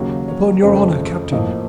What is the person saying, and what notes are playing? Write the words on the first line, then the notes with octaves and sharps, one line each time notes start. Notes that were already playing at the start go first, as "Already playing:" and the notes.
"Upon your honour, Captain."
Already playing: D#2 C#3 F#3 A#3
C#5
F2 C#3 A3 C5
A2 F3 A#3 D#5